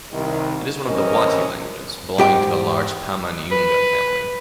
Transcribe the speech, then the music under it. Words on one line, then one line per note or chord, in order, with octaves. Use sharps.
It is one of the Wati languages, belonging to the large Pama-Nyungan family.
C2 D#3
A1 E3 C4 C#4 A#4 D#5
G#2 G4 G5
B4